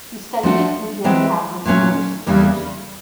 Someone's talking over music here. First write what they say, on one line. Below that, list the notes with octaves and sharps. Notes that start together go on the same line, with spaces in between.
He studied at Fu Jen Catholic University in Beijing.
F3 A3 D4 F#4
E3 G#3 C4
A#2 F#3 A3 C#4
E2 C#3 E3 G3 A#3